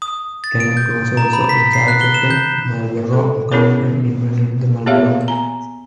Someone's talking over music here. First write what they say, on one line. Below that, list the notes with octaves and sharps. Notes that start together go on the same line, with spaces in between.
Tennant was also in charge of the Marlboro account and invented the Marlboro Man.
D#6
A6
D7
G6
A#5
B5
B6
C7
F#6
G7
E7
G6
A4
B3 C#4 E4 G#4 A#4 C#5
B3 G4 G#4 C#5 E5 F5
G#5 A#5